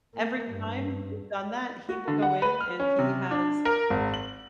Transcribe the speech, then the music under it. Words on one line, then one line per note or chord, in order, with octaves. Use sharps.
Every time we've done that, he will go in and he has
A#3
G2
F#4
D3
F#5
B4
F6
C#4
C3
D4
A#4
G#1
F#7